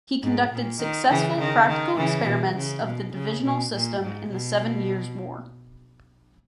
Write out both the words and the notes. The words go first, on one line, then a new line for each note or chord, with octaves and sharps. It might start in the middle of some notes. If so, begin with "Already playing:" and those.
He conducted successful practical experiments of the divisional system in the Seven Years' War.
G#2
A#2
D#3
C#3 E3
D#3
D#3
C#3 E3
B2
C#3
B2
C#3
B2
A#2
G#2
B2